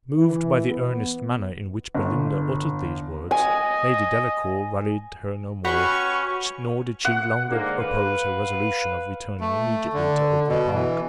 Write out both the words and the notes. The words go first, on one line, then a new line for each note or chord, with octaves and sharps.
Moved by the earnest manner in which Belinda uttered these words, Lady Delacour rallied her no more, nor did she longer oppose her resolution of returning immediately to Oakly-park.
E3
B3
G1
D#5 G#5
C#4 F#4 G4 B4 F#5 C#6
F#5
G#2 D3 A#3
B4 F5
A3
D3
B2
E3